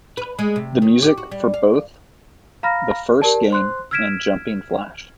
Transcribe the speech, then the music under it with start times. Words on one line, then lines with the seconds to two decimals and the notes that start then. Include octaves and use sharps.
The music for both the first game and Jumping Flash!
0.17 B4
0.39 G#3
0.56 C3
0.82 D#3
1.02 G4
1.18 F#4
1.31 G3
1.54 F5
2.63 F5 A#5 B5 F6 A#6
3.22 G4 A#4 D5 A5
3.50 C5 C6 F#6
3.91 E6 F6 G#6 B6 D7 E7